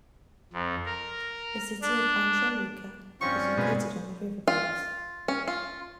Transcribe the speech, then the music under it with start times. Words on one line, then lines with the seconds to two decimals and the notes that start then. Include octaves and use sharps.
The city of Banja Luka is located on the river banks.
0.53 F2
0.86 A#4
1.82 D4
3.21 G2 F3 G3 C4 C#4 F4 C#6
3.58 B2 G#3
4.48 F4
5.28 C#4
5.48 F4